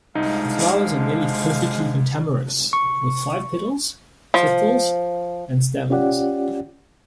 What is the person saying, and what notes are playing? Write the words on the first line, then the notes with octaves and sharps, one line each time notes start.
The flowers are nearly perfectly pentamerous, with five petals, sepals, and stamens.
C2 D3 F3 G#3 D#4 F5
C#6
F3
C#4 F4 G4 D5 F#5